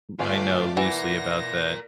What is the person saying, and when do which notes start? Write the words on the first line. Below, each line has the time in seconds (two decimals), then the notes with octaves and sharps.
I know loosely about that.
0.19 G1 A3 F4 G4 D5 G#5
0.77 E3 A#4 D5 F#5 A#6